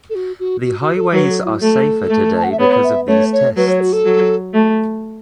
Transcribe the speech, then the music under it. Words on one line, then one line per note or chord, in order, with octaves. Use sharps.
The highways are safer today because of these tests.
A4
F#4
F#4
F#4
F#4
A4
F#3 B4
A4
F#4
E4
A3 A4
A3
A5
F#5
E5
B3 C#5
E5
A3 C#5
C#5
F#3 B4
C#5
F#4
A4
F#3
A3